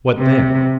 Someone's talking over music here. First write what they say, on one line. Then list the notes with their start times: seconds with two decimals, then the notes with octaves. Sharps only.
What then?
0.18 C3